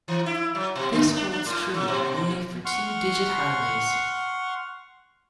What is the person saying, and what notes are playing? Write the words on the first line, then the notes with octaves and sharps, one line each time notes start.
This holds true only for two-digit highways.
E3
E4
F#3
B2
D3
D4
D4
A2
F#3
B2
F#5 C6 C#6 F6